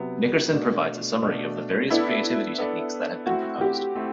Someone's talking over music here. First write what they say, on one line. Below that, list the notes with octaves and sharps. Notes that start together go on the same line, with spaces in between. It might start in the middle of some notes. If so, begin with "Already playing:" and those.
Nickerson provides a summary of the various creativity techniques that have been proposed.
Already playing: C3 F#3 B3
B2 A3 D4
B2 A3 D4
B3 D4 E4 A4 D5
B3 D4 A4 D5
A3 C4 E4 F#4
G4
A3 C4 E4